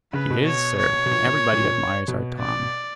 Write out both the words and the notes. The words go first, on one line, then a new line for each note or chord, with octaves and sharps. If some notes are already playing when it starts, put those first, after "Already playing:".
"He is, sir; everybody admires our Tom."
C#3 B4
B2
C#5
C#5
B2
A#2
A#2
A#2
A#2
B2
D5